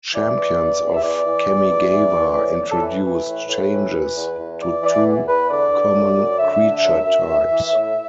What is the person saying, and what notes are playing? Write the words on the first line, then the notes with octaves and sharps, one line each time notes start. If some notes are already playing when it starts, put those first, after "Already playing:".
"Champions of Kamigawa" introduced changes to two common creature types.
E3 D5
E3
E2
E2
E5
E3 D5
E3
E2
E2
E3
E3
A2
A2
A4
E3 B4
E3
A2
A2
E3
E3
E2
E2
E3 D5
E3 D5
E2
E2 B4
D3 D5
D3
F#2
F#2
D3 E5
D3
F#2
F#2
E3
E3
A2